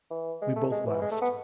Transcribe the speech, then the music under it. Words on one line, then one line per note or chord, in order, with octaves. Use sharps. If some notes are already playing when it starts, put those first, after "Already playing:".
We both laughed.
E3
G#3
A3
G#3
E3
G#3
A3
B3